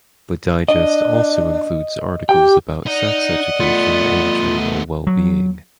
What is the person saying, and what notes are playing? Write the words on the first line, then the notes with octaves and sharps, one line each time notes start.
The digest also includes articles about sex education and general well being.
D4 D#5
G4 G5
D#4 D5 D#5 F#5
A3 B3 F4
F#3